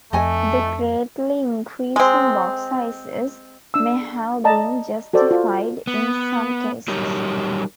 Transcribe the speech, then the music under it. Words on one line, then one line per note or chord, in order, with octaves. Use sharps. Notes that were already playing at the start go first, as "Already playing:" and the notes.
The greatly increasing box sizes may have been justified in some cases.
F2 A3 D#5 G#5
G#3 C4
D4 E6
D5 D#5 A5 A#5
F#4 A4 C5 D5
F4
B3
F#3 G3 D#4 G4 A#4 C#5